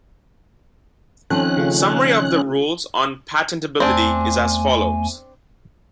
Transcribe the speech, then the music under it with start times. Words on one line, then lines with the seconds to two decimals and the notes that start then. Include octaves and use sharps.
Summary of the rules on patentability is as follows.
1.30 D#3 F3 C4 C#4 A4 F#6
1.57 C#3 A3 F4
3.80 E2 A3 C4 D4 G#5